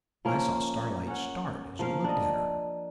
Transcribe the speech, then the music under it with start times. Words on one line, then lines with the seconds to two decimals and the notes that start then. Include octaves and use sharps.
I saw Starlight start as he looked at her.
0.25 F3 A#3 C#4
1.07 C#4 F#5
1.79 F3 A#3 F5
2.04 D4 D#5